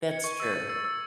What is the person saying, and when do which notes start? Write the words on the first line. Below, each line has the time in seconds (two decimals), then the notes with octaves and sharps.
That's true.
0.09 G#6 C#7
0.24 C#6
0.40 E6 A6
0.54 C#6
0.69 E6 A6
0.85 E6